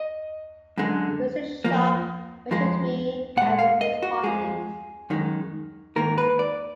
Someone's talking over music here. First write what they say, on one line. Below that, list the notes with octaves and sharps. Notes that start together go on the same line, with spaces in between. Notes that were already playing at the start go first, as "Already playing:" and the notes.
Mr. Sharpe measured me at Ruby’s party.
Already playing: D#5
F#2 D3 G#3
F2 F3 A#3
F2 F3 G#3
A#2 G#3 F#5
F5
D#5
F#4
F2 F3 G#3 G#4
F#2 D#3 G#3
G#2 D#3 A#3 A#4
B4
D5